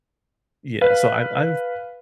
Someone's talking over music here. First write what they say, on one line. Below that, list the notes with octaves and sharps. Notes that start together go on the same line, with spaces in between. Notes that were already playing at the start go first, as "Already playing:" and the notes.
Yeah, so, I've I've
B4 F5